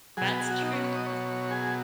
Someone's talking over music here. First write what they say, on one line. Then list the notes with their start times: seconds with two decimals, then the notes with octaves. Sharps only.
That's true. That's true.
0.17 B2 F#3 G#4
0.29 B4
0.39 G#4
0.51 F#4
0.62 D#4
0.73 C#4
0.84 C#5
0.95 D#5
1.06 C#5
1.51 G#4